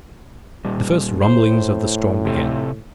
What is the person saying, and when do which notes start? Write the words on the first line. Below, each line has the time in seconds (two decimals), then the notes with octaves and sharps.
The first rumblings of the storm began.
0.65 A#2 G3
1.22 A2 C5
2.25 C3 A3 C4